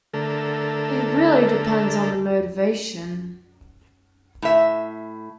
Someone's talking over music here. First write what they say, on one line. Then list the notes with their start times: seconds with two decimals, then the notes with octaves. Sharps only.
It really depends on the motivation...
0.13 D3 A3 A4 A#4
4.42 A2 E5